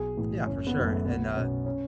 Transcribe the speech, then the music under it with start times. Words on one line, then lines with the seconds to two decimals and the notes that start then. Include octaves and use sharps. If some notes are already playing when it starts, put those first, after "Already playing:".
yeah, for sure and, uh,
Already playing: B1 G#4
0.17 A2 E3
0.46 F#1 C#4
0.67 B3
0.77 F#2 D#3
0.86 A3
1.06 B1 B3
1.36 B2 C#4
1.66 C#4